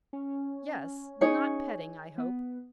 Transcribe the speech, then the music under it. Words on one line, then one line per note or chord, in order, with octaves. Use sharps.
Yes; not petting, I hope.
C#4
D#4 G#4 C#5
B3